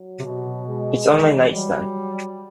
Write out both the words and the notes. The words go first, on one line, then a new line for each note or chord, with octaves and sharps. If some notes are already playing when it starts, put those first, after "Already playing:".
It's on my nightstand.
Already playing: F#3
C3
B2
G#3
E3
F#3 G3